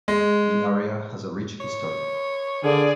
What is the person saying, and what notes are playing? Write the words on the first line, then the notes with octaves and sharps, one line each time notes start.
The area has a rich history.
G#3
C#5
D3 A#3 G#4 D5